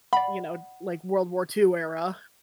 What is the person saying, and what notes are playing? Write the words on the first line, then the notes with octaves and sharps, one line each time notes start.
you know, like World War II era.
D5 F#5 B5